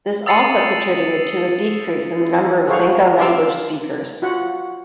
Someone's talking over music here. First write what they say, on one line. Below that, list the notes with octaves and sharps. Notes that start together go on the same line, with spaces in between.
This also contributed to a decrease in the number of Xinca-language speakers.
D#6 E6 A6 C7 C#7 D#7
G#4 A4 C5 C#5 F5 F#5
G4 D5 F5 C6 E6
F4 F#4 F#5